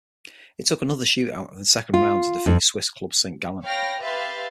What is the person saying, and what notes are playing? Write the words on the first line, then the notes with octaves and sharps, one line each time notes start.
It took another shoot-out in the second round to defeat Swiss club Saint Gallen.
F4
F2
C#5 F5 G5 B5 F6 A#6
G4 B4 E5 F5 C6 A6